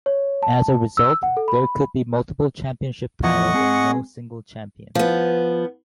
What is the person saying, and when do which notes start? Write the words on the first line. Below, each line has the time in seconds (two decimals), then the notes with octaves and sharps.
As a result, there could be multiple championship titles and no single champion.
0.06 C#5
0.43 A5
0.97 E6
1.23 F#5
1.37 A4
1.48 B5
3.23 E2 E3 F3 D#5 F#5 C#6
3.53 G#3 C4 G#4
4.95 F3 B3